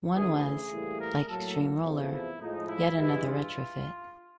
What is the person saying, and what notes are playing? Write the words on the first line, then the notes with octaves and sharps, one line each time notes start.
One was, like "Extremeroller", yet another retrofit.
D2 C#3 E3 G#4
G#4
A2 E3 G3 A#3
A#4
A2 F#3 A#3 A4
E2 C3 F3 A3
E4
A2 F3 G#3 D#4
E4
G2 E3 G#3 E4
F4